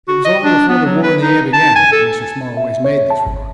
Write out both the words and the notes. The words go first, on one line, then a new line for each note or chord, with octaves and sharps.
It was along before the War in the Air began that Mr. Smallways made this remark.
F#4
D#5
D4
B3
F#3
B4
D#4
A5
G#5
A4
E5
C#5
A5
G#1